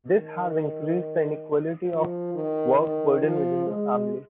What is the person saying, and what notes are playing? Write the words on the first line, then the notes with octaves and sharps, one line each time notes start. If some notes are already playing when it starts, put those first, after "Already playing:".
This has increased the inequality of work burden within the family.
D#3
F3
D#3
D#3
F3
G#3